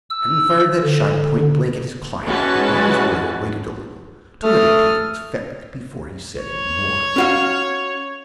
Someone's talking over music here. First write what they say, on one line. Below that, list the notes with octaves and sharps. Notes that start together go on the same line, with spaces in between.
Having fired that shot pointblank at his client, the wise lawyer waited a little to let it take its effect before he said any more.
E6
D3
E3 G#3 C#4 F#4 B4 A5
A3 A4 D#6 F6
C#5
C#4 F#4 F5